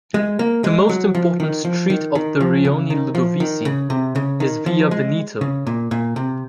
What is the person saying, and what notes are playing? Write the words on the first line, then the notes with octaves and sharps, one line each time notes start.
The most important street of the rione Ludovisi is Via Veneto.
G#3
A#3
G#3
F#3
F3
D#3
F3
D#3
D#3
F3
C#3
D#3
F3
D#3
C#3
C3
C#3
D#3
F3
G#3
C#3
A#2
A#2
C3